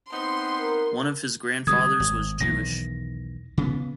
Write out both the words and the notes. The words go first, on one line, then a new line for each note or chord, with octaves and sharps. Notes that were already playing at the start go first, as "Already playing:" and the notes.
One of his grandfathers was Jewish.
B3 C4 D#4 C6
A#4
D3 F#3 G3 D#6 G#6
G#1
B1 E2 D#3 A#6
C#3 B3